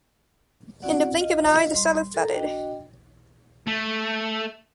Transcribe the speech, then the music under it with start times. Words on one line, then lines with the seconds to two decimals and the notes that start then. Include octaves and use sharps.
In the blink of an eye the cellar flooded.
0.82 C4 C#4 E4 F#4 D5 F#5
1.20 F4 D#5 F5
1.74 G3 C6
2.14 A4 A#4 A#5
2.34 D4 F#4 D#5 G5
3.68 A3